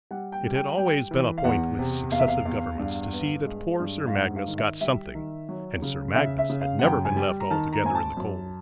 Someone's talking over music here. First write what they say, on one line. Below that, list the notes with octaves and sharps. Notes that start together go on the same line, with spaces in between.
It had always been a point with successive governments to see that poor Sir Magnus got something, and Sir Magnus had never been left altogether in the cold.
G3 F#5
G5
G3
G5
G3 G5
E3
F5
E2 F#5
C3
E2 F5
E5
F5
E2
G2
B3
G#3
G2
F5
G#2 F#5
F5
D#3
E5
G3 E5
D#3
F#3
C#3
C#3 E5
E5
C#3
F5
F#5
F#2 G5
G#5
G3
A#5
D#3 A5
A#5
G#1 G#5
A5
F#2